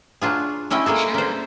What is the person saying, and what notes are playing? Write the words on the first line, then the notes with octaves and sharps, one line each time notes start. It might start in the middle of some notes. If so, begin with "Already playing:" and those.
For sure.
F#3 D4 F4 G#4
G3 C#4 E4 D#5 G5
G#3 A#3 G#4 A4
A#3 C5